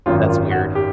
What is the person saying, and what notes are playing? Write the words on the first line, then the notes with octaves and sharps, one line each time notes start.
That's weird.
G#1 F#2 D#3 F4
F4
F#4
G4